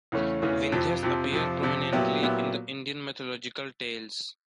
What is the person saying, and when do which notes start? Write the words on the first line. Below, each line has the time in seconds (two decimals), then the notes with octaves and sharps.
Vindhyas appear prominently in the Indian mythological tales.
0.12 E2 C#3 E3 A3 C#4
0.42 E2 C#3 E3 A3 C#4
0.72 F2 C3 F3
1.03 F2 C3 F3
1.32 F2 C3 F3
1.62 F2 C3 F3
1.92 A#2 F#3 B3 E4 G4
2.23 A#2 F#3 B3 E4 G4